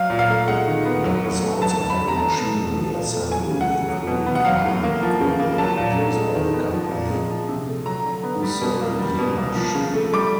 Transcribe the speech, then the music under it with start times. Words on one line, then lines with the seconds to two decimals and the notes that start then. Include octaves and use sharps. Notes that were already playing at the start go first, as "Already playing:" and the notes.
There is also heavy machinery assembly, including mining equipment produced by the company "Usolyemash".
Already playing: F#3 F5
0.10 A#2
0.19 F5
0.29 A3
0.48 G#3 F#5
0.67 D#3
0.85 B3
1.04 F#3
1.24 A2
1.42 A3
1.62 F#3 A5
1.80 D3
1.90 B5
2.00 A3
2.08 A#5
2.18 F#3 A5
2.37 B2
2.57 A3
2.76 F3
2.94 A#2
3.12 A3
3.31 F#3 G#5
3.51 C#3
3.61 F#5
3.70 A3
3.88 F#3
4.07 B2
4.26 B3
4.35 F#5
4.45 F#3 F5
4.65 A2
4.83 A#3
5.03 F3
5.21 C#3
5.40 A#3
5.58 F#3 A5
5.77 A#2
5.97 A3
6.16 G#3
6.35 D#3
6.53 B3
6.72 F3
6.91 A#2
7.10 G#3
7.30 F3
7.49 C3
7.67 A3
7.85 F#3 A#5
8.05 D3
8.23 B3
8.43 G3
8.62 B2
8.81 A#3
8.99 G3
9.19 B2
9.38 A#3
9.56 F3
9.75 C#3
9.94 A3
10.13 G3 D6